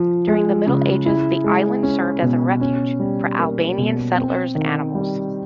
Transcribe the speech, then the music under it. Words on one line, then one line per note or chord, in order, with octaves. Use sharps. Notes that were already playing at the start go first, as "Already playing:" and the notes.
During the Middle Ages the island served as a refuge for Albanian settlers' animals.
Already playing: F3
G#3
C#3
E4
G#3
C#4
B2
C#4
G3
A#3
B2
C4
D#3
G3